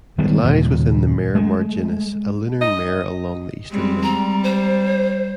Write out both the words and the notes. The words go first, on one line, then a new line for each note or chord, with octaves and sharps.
It lies within the Mare Marginis, a lunar mare along the eastern limb.
D#3 G3 G#3 B3
D#2 A#2 C#3
G#3 A3
D#5
G3 G#3 C4
G3 A#5
C5